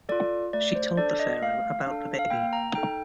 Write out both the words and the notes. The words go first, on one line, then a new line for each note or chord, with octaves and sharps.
She told the Pharaoh about the baby.
F4 A4 D5
A3 D5
C5
D4 A4 D5
D#5
A3 F5
D4 A4
F5
A#3 G5
A#5
D#4 A4 G5